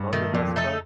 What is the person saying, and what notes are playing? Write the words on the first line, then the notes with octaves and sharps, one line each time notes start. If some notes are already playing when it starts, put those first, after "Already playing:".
on the Vespa,
Already playing: G2
D#3 A3
F2 A#2
F2
A3 D#4 A4